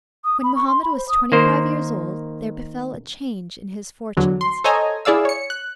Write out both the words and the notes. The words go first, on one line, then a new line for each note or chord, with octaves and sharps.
When Mohammed was twenty-five years old there befell a change in his fortunes.
D#6
B5
C#6
C6
B5
C5
D#6
D#3 A#3 C5
E2 D3 F#3
C6
A4 C5 C#5 D#5 G#5 A#5
E4 G#4 D5 F5 E6
C#5 C#7
F#6